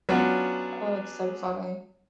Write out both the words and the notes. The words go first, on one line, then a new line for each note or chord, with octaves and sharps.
Oh, it's so funny.
F#3 B3 C#4 D4 F4 F#4